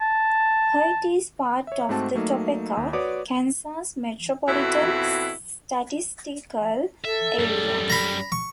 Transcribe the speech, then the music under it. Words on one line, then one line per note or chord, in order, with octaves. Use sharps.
Hoyt is part of the Topeka, Kansas Metropolitan Statistical Area.
A5
C#5 E5
G#2 A3 C4 F#4 A5
F#3 A3 A#3 D#4
D#2
F#4 B4 C#5 D5 D6 D#6
F2 B2 E4 F#4
A4 E5
F#2 G3
A#5 B5
C#6